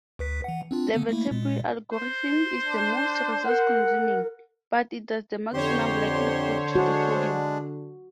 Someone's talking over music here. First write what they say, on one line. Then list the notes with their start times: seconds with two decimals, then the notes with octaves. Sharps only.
The Viterbi algorithm is the most resource-consuming, but it does the maximum likelihood decoding.
0.19 D2 B4 B6
0.44 E3 F#5
0.71 C4 D4 F4
0.93 D3 A#3 B3
1.09 A3 A#3 E4
1.31 A#2 G#3
1.92 C5
2.63 D4
3.45 A#4 F#5
5.54 F2 D3 G4 C5 C#5 C6
6.75 G#3 D4 F#4